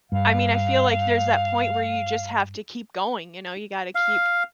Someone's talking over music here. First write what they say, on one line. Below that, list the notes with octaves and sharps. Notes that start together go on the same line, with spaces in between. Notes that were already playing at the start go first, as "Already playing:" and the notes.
I mean, I feel like there's that point where you just have to keep going, you know, you gotta keep,
G2 F5
F5